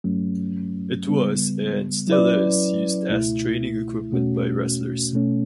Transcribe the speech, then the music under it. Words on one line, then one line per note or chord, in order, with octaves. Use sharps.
It was and still is used as training equipment by wrestlers.
G2 F#3 A3 C#4
C#3 G3 B3
F#3 C#4 E4 B4 D5
C#2 B2 A3 E4
E2 B2 A3 C#4 F#4
B2 A3 C#4